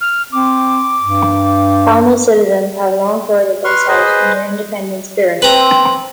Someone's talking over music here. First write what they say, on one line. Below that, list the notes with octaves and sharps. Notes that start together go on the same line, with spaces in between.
Pownal citizens have long prided themselves on their independent spirit.
F6
C4 D6
G2
B4 C6 C#6 F6
G#4 B4 C5 D#5
C4 B4 A#5